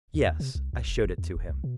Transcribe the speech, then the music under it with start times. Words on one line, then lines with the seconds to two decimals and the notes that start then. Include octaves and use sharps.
"Yes; I showed it to him."
0.14 C#2
0.26 D#2
0.40 C3
0.55 C2
0.73 C2
0.88 E1
1.04 F1
1.18 E2
1.36 D1
1.49 C2
1.64 B2